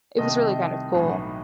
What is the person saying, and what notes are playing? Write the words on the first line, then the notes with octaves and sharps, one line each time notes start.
it was really kind of cool.
C2 C3 D#3 A3 D#5
B1 A2 E3 B3